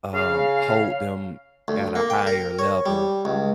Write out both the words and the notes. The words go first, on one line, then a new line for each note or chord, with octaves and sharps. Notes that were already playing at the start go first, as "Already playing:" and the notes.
um, hold them at a higher level
C#3 F5
D2
A#3
G5
A#4
C#5
G3
C#2